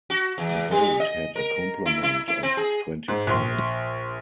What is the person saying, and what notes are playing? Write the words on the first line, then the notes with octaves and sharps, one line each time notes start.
The boat had a complement of twenty-five.
F#4
E2
G3
D#5
A#4
E4
E4
E4
C4
G#4
G#2
A#1 C6